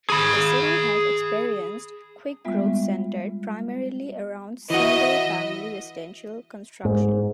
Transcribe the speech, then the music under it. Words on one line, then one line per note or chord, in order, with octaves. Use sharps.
The city has experienced quick growth centered primarily around single-family residential construction.
G#4 B5
G3 G#3 B3 F4 E5
E3 F#4 D#5 E5
G#2